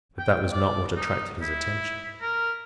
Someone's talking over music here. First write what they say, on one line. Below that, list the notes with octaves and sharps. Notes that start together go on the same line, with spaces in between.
But that was not what attracted his attention.
G5
D5
D#4
E4
A#4